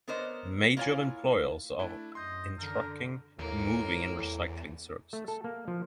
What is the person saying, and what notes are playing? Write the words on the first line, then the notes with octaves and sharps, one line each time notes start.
Major employers are in trucking, moving and recycling services.
B3 D4 A#4 C5 C#5 D#5
A#3 E4 F4 C#5 F5 G#5
A3 D4 E4
F#2 D#5 C6 G6
D3 A#4
D#2 A2 A#3
E2
A3
A4
A#3
F3